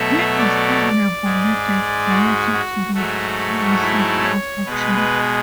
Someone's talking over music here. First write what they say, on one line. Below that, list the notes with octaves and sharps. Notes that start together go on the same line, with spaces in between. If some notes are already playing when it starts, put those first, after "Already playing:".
He is arguably the creator of the philosophy of action.
Already playing: B2 F#3 A3 E5
D5
G#2 G#3
F#4
F#4
G#2 F#3 A3 F#4
E4
C#5
B2 G#3 B4
B4